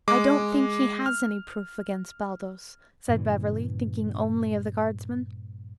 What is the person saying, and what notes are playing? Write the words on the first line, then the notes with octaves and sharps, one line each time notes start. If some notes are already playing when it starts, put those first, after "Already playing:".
"I don't think he has any proof against Baldos," said Beverly, thinking only of the guardsman.
G#3 D6
F6
G2 A#2 C#3 E3